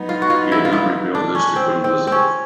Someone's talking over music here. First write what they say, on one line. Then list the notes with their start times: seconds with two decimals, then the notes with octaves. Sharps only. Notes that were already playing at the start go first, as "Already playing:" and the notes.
He had not revealed this to Queen Elizabeth.
Already playing: F#3 B3 D#4
0.09 F4
0.22 F#4
0.30 F4
0.52 E4
0.65 F4
0.73 E4
1.15 D4
1.35 C#4
1.56 C4
1.84 C4
2.07 C4 C#4